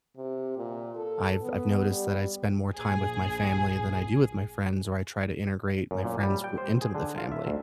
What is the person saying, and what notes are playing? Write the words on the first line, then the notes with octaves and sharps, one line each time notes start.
I've I've noticed that I spend more time with my family than I do with my friends, or I try to integrate my friends w into the family.
C3
A#2
A4
B3
G3
A#1 G#4
F#2
A#2
G3
G5
C5
G#4
D3
F4
E5
D2